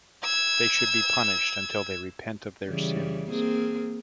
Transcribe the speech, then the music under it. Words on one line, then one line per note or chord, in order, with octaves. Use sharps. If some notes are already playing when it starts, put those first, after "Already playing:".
They should be punished until they repent of their sins.
E6 G#6
C#3 E3 G3
A#3 C4 G#4